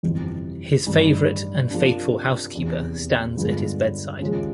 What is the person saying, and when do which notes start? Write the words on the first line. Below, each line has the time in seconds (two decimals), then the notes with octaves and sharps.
His favourite and faithful housekeeper stands at his bedside.
0.03 G1 F2 C3 E3
0.87 A1 G2 D#3
1.70 C3 F3 A#3 D4
2.54 F1 E2 C3
3.37 G2 D3 F3 G#3 B3
4.20 D#2 C#3 F3 G#3 C#4